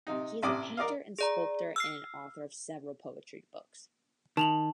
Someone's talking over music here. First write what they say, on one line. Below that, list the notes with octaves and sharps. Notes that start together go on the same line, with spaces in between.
He is a painter and sculptor and an author of several poetry books.
C3 D#4
A1 C3 D5 D#6
A#4 D5 D#5 F5
G#4 D5 A#5
E6 F6 C7
D#3 A5 F7 F#7